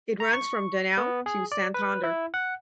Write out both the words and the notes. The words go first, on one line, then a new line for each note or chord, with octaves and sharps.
It runs from Danao to Santander.
A#5
C#6
B3
G#4
D5
B4
E4
F#5